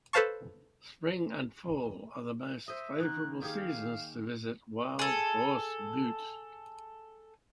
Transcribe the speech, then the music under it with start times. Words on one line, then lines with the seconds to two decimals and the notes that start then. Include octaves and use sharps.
Spring and fall are the most favorable seasons to visit Wild Horse Butte.
0.13 A4 B4 C5 F5 A5 C#6
2.68 C5 D#5 E5
3.00 D#3 A#3 F#6
3.42 D#3 G4 G#4 F5
4.99 G#4 A4